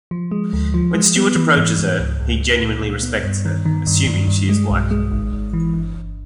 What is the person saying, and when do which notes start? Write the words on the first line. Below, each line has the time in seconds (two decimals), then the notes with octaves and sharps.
When Stuart approaches her he genuinely respects her, assuming she is white.
0.11 F3
0.31 G#3
0.53 D2
0.74 F3
0.95 G#3
1.16 B3
1.36 E3
1.57 G#2
1.79 G#2
1.99 C#2
2.20 C#2
2.40 C#2
2.62 A#2
2.82 A#2
3.03 B3
3.24 G2
3.45 D#3
3.66 D#3
3.87 G2
4.07 G2
4.27 G2
4.49 G#3
4.70 B1
4.91 G#3
5.12 G#1
5.32 G#1
5.53 E3
5.74 G1
5.95 G1